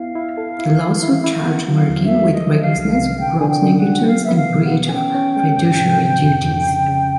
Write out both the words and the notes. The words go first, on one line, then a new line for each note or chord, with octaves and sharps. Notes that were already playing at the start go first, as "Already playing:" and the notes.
The lawsuit charged Merkin with recklessness, gross negligence and breach of fiduciary duties.
Already playing: B3 E4 F5
E4
A4
E4
E3
E4
E4
F5
B3 F#5
F#3 F#5
F5
E2
E5
F#3
F3 D#5
F3
F5
C2
F5
C3
D3 G5
D3 G#5
G5
D3
F#5
F#3
B3 F5
B3 E5
F5
B2
F#5
B3
G#5
C#4 G5
C#4
G#3
G#2
C3
C3
F2
F2
C#3
C#3